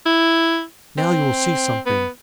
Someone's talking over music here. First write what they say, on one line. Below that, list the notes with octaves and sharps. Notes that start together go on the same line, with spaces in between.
Now you will see something.
E4
C4
B3